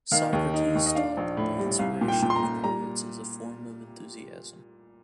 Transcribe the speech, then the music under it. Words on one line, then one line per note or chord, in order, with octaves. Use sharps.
Socrates taught that the inspiration of poets is a form of enthusiasm.
D#3 F5
D#2
D#4
D#2
D#5
D4 F5
A#1
A2
G3
C2 F5
A#2
G5
A#2
C6
A#5
A#2
G3 A#5